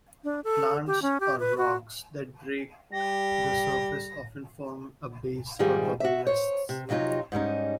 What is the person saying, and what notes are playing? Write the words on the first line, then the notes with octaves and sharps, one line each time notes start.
Plants or rocks that break the surface often form a base for bubble nests.
D4
A4
G4
C#4
G4
B4
F#4
G3 G4 A#6
G#2 D#3 F3 G3 G#4
F#4 E5
C5 C#5
C3
F2 C3 F#3 D#4 F4
G#2 G3 C#4 D#4